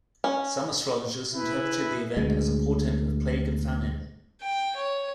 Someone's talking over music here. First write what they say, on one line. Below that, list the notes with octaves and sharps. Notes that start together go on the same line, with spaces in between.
Some astrologers interpreted the event as a portent of plague and famine.
C#4
E4 G#4 B4
D2 G#3
G5
C#5